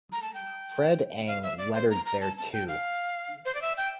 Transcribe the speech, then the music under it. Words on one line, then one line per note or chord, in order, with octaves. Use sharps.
Fred Eng lettered there, too.
A#5
A5
G5
F5
E5
D5
C5
A#5
A#5
A5
A5
G5
F5
C5
D5
E5
G5